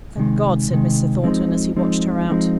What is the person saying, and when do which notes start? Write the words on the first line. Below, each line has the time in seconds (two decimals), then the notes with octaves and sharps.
'Thank God!' said Mr. Thornton, as he watched her out.
0.17 C3 D#3 G#3
0.71 C3 D#3 G#3
1.24 F3 G#3 C4 D#4
1.76 F3 G#3 C4 D#4
2.29 F3 G#3 C4 D#4